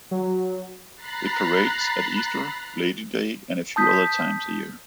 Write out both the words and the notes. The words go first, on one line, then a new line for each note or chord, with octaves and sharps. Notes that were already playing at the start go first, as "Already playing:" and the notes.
It parades at Easter, Lady Day and a few other times a year.
F#3
A#5 B5 F#6 A6 C7
A5 D#6 G6 B6